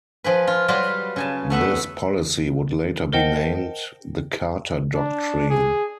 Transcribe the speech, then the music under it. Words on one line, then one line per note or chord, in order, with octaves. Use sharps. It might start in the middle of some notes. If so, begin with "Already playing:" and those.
This policy would later be named the Carter Doctrine.
F3 G#4 B4
F4
F#3 G3 F4 G4 B4 D5
C#3 G#5 A5
A3 B3 B4 E5
A#4 C5 D#5 F#5 G5 A5
D4
G#4